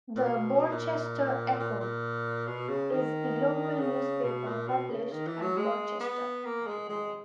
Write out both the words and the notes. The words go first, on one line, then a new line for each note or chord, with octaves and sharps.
"The Borchester Echo" is the local newspaper published at Borchester.
A#2
B2
A#2
A#2
A#2
B2
C#3
D#3
C#3
B2
A#2
B2
C#3
D#3
E3
F#3
G#3
B3
A#3
G#3
G#3